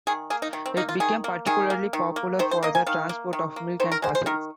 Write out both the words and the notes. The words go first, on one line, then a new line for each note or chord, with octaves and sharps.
It became particularly popular for the transport of milk and parcels.
D#3 G#4
A#3 G#4
D#4
D#3
C4
A#3 D#4
F4
D#3 G#4
A#3
D#3 G#4
A#3
D#3
A#3
D#3 C5
C5
A#3 D#5
G#5
D#3 F5
A#3
D#3
A#3
D#3 C5
A#4
G#3 C5
C5
D#3 A#4